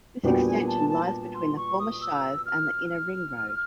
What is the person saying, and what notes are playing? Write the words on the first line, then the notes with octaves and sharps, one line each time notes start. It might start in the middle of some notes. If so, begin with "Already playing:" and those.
This extension lies between the former Shires and the inner ring-road.
A#2 G3 B3 D4 F#4 G5
G#5
A5
A5
C6
C#6
D#6
E6
F6
F6